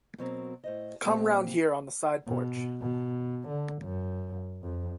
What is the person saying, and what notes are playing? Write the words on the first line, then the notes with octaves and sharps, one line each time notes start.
Come round here on the side-porch.
B2 F#3 C4 A#4
A2 C5 D#5
A#2 A#3 C4 G4
B2
B2
D3
F#2
F2